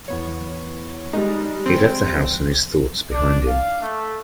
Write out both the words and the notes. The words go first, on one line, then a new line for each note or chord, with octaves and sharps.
He left the house and his thoughts behind him.
E2 B3 C#5
G3 G#3 D#4
C4
D4
F5
A3